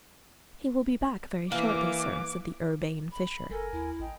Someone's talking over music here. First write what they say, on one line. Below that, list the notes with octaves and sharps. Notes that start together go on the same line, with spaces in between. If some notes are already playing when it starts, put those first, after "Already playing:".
"He will be back very shortly, sir," said the urbane Fisher.
E3 A#3 D6
B5
F#1 A4 A#4 G#5
D#2 E4
A1 D#5 G5 A#5